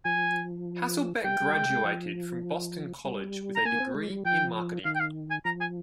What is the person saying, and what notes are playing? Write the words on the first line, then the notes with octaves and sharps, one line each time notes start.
Hasselbeck graduated from Boston College with a degree in marketing.
F3 G#5
G3 G5
G3
G#3
G#3
F3
G3
A#5
A#3 G#5
C4
G#3
G3
F3 G5
D#3 F5
G5
F5
G#5
F3 A#5
G#5